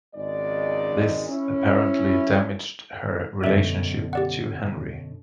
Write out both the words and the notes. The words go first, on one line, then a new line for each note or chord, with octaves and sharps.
This apparently damaged her relationship to Henry.
G#1 C#2 G#3 D#4 D5
C#4 E4
F#2 B2 D3 D5 E5
G4 D5 F#5